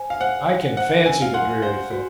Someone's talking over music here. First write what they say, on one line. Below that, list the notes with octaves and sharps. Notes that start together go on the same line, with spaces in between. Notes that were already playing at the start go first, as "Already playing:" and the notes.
"I can fancy the dreary thing!"
Already playing: C5 G#5
F5
C5 F#5
F5
C5 F#5
A#4 G#5
F5
F#5 C6
C5 F5
F#4